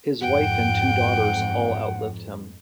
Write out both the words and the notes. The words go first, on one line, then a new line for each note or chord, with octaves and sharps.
His wife and two daughters all outlived him.
F2 G#2 F#5 G5